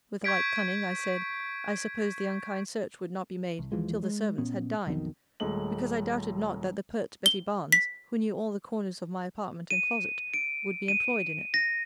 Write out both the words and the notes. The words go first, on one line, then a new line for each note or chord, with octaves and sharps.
With like cunning I said, I supposed the unkind search would not be made till the servants had dined; because I doubted not that the pert Betty Barnes, who knew all the corners of my apartment and closet, would be employed in it.
C#6 G6 G#6 B6 D7
C2
D#2 E3 F3 G#3
G#3
A#2 B3 C#4
B1 F2 B2 D#3
D#1 G#3 A3 F#7
G7
B6
D#7
D7
D#7
A#6